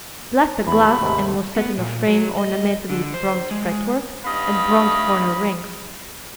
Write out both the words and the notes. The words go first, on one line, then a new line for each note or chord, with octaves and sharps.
It lacked a glass, and was set in a frame ornamented with bronze fretwork and bronze corner rings.
E2 B5
G3 B3
D#2 G#2 C3
B3
A#2
F#3
D#5
D3
C5
G#3
G2 B3 D#4 D#5 F5 B5